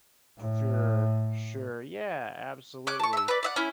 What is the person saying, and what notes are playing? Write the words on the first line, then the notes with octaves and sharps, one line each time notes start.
sure sure, yeah, absolutely.
A2
C#4 D6 F#6
A5 C#6
E5 E6
B4 D5
D5 E5 F#5
C#4 E4